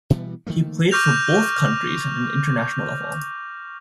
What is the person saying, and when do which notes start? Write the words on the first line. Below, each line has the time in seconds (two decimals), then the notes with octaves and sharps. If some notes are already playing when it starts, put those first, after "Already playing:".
He played for both Countries at International level.
0.10 B2 E3 G3 B3
0.47 D#3 F3 A3 A#3
0.91 C#6 D6 F6 G6 A#6 F7